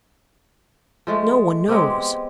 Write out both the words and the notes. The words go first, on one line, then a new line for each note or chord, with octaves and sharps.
No one knows.
F3 G#3 A3
G#3 B3 C4 G4